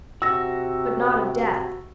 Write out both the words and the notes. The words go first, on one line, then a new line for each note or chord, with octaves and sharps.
But not of death.
C3 F#4 E6 A#6